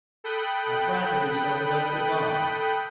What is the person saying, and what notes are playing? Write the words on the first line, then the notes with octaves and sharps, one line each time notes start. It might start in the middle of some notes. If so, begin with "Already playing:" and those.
I tried to do so, but could not.
A4 G5 B5 D#6 F#6 G6